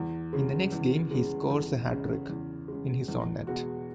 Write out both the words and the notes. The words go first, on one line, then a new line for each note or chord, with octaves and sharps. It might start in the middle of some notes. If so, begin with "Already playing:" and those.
In the next game he scores a hat-trick... in his own net.
Already playing: E2
C#3 G#3
E2
C#3 G#3
E2
C#3 G#3
E2
C#3 G#3
E2
B2 G#3 B3 F#4